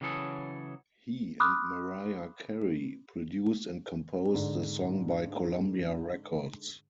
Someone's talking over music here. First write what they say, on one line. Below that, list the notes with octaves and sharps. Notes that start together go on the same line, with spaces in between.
He and Mariah Carey produced and composed the song by Columbia Records.
C#3 E3 F#3 G#4 A4
B5 C6 D6 D#6 F6 F#6
G#2 D3